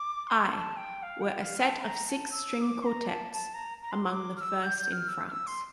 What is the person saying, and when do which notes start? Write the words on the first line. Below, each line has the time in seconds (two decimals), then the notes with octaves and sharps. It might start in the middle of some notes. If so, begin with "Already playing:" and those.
I, were a set of six string Quartets, among the first in France.
Already playing: D6
0.24 D6
0.28 C6
0.51 A5
0.77 G5
1.03 F5
1.21 G5
1.41 F5
1.60 A5
1.79 C6
1.82 A#5
2.05 A#5
2.09 A5
2.32 E6
2.57 E6
2.62 D6
2.83 C6
2.86 A#5
3.08 A5
3.34 A5
3.54 A#5
3.83 A#5
3.92 C6
4.11 D6
4.37 F6
4.41 E6
4.63 G6
4.79 G6
4.89 G6
4.92 F6
5.08 E6
5.28 F6
5.32 E6
5.47 C6